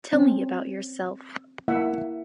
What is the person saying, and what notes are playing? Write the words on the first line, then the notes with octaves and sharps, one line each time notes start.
Tell me about yourself.
C4 C#4
A#3 E4 E5 F#5